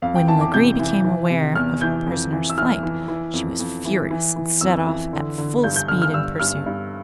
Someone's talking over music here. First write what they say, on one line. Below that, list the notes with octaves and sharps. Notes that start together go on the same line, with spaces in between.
When Lagree became aware of her prisoner's flight she was furious, and set off at full speed in pursuit.
F2 F5
G5
E3 A5
D6
C3 G6
E3
E3
C3
E2 F6
E3 G6
F2
E3
E6
E3 F6
E3
E3
F2
F2
E3
E3
E3
F2 E6
E3
D3
D3
G2 G6
G6
D3 F6
F6
G2 E6
G2 F6
G2